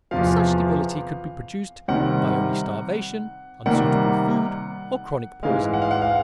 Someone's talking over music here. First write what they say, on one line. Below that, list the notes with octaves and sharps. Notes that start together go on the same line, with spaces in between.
But such debility could be produced by only starvation, unsuitable food, or chronic poisoning.
E2 C3 F3 F5
C3 D#3 G3 C4 F#5
C3 D#3 G3 A#3 F#5
G#2 E3 G#3 F5
F#5
F5
F#5
F5